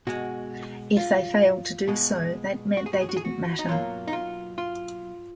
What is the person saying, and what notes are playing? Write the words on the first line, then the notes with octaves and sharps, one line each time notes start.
If they failed to do so, that meant they didn't matter.
B2 G#3 F#4
F4
B2 G#3
F#4
G#4
F#4
G#4
F#4
G#4
F#4
D#4
B2 F#3 A#3 F4
D#4
F4
F4